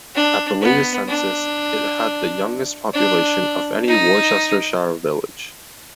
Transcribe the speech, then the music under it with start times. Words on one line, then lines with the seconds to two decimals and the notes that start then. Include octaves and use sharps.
At the latest census, it had the youngest population of any Worcestershire village.
0.15 D4
0.61 B3
1.08 D4
2.94 D4
3.87 D#4